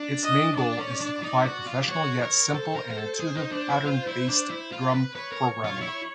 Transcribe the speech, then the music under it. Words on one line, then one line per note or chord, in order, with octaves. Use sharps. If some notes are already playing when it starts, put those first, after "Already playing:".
Its main goal is to provide professional yet simple and intuitive pattern-based drum programming.
Already playing: D4
D#5
D4 D5
C#4
D4
D#4
F#4
F4
G4
F#4 C#5
A#4 C#5
A4 C5
A#4
A#4
A4
G#4
D#4
D4
E4
F4
E4
D4
E4
F4
B4
B4 C#5
A#4
F4
E4